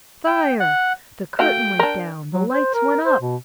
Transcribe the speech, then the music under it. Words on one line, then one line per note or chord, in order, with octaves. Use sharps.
Fire!' The curtain went down--the lights went up.
G5
F#5
A3 F#4 F5 G5
D4 A#4
F#3
C5
A#4
C5
B2